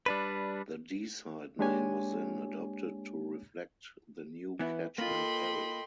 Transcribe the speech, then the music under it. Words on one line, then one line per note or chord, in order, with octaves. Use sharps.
The Deeside name was then adopted to reflect the new catchment area.
G3 D4 B4
G#3 A#3 D4 G4 C#5 G#5
E3 B3 E4
A#3 F4 A4 D#5 G5 B5 C6